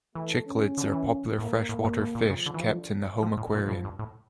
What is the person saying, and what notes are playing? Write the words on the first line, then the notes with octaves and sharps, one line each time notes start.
Cichlids are popular freshwater fish kept in the home aquarium.
E3 A3
C#4
D3
E3
A2 A#3
A2 A#3
G2
A2
A#2
C#3 F3
D3
E3
D3 F3
C#3
D3 F3
A2
A#2 F3
A2
G2
A2